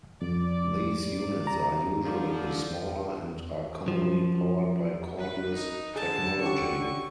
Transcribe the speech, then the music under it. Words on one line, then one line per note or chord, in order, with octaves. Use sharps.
These units are usually smaller and are commonly powered by cordless technology.
F2 D5
G3
A#5
D3 F3
F3
B4
D#4
D3 G#4 A5
C#4 G4 C#6